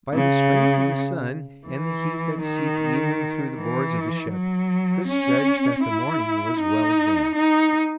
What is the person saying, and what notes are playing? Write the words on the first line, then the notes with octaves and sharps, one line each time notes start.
By the strength of the sun and the heat that seeped even through the boards of the ship, Chris judged that the morning was well advanced.
C#3
E3
D#3
E3
F#3
C#4
E4
D#4
D#4